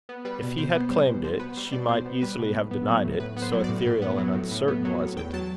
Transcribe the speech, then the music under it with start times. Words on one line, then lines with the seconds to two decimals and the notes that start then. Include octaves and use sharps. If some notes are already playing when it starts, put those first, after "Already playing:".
If he had claimed it, she might easily have denied it, so ethereal and uncertain was it.
0.09 B3
0.25 G3 B4
0.42 B2
0.58 B2 C5
0.75 B3
0.90 G3 C5
1.07 B2
1.24 B2 C5
1.40 B3 B4
1.56 G3 C5
1.72 B2 D5
1.89 B2 C5
2.06 B3
2.22 G3 B4
2.39 B2
2.55 A2
2.71 B3
2.88 F#3
3.04 A2
3.20 A2 B4
3.37 B3
3.42 C5
3.53 F#3
3.64 D5
3.69 A2
3.86 A2
4.02 B3
4.18 F#3
4.35 A2
4.51 A2
4.68 B3
4.85 F#3
5.01 A2
5.16 E2 G5
5.33 F#3 A5